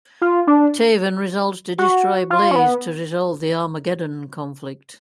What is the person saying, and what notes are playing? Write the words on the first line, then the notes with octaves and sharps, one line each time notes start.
Taven resolves to destroy Blaze to resolve the Armageddon conflict.
F4
D4
F#4
F4
C#4
B3